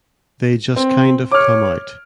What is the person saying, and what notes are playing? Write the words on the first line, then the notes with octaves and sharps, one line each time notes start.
They just kind of come out.
C4
C#5 D6 F6